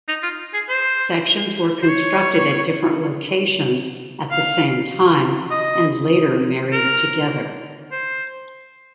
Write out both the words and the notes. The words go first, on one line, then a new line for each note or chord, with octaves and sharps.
Sections were constructed at different locations at the same time and later married together.
D#4
F4
G#4
C5
C5
C#5
F5
D#5
A#4
C5